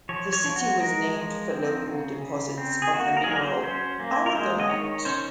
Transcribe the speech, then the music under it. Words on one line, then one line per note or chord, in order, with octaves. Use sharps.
The city was named for local deposits of the mineral aragonite.
F3 C#5
C#5
F3
F#4
G#3 A#4
F3
C4
C#3
C#3
C4
G#4
A#3 F#4
A#4
G#4
F#3 A#4
C5
C#4 C5
A#3
A#4
G#3 C5
D#5
D#3 C#5
C#4 C5